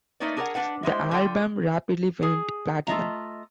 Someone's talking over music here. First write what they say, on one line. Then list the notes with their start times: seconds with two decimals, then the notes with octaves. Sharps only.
The album rapidly went platinum.
0.20 A3 A#3 D#4 B4 C#5 D5
0.36 D4 G#4 A#4 C5 C#5 F#5
0.55 D4 B4 F#5
0.83 G3 G#3 E4 C5
1.11 D3 F4 A4 G5
2.23 G#4
2.87 A3 F4 D#5 E5 A#5